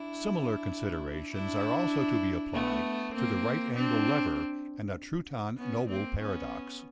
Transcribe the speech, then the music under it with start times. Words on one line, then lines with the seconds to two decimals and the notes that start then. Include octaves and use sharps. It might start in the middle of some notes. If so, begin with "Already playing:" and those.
Similar considerations are also to be applied to the right-angle lever and Trouton-Noble paradox.
Already playing: D4 E4
1.32 D4 E4
2.53 A3 B3
3.14 A#3 C4
3.75 C4 D4
5.57 B3 C#4
5.88 A#3 C4
6.18 B3 C#4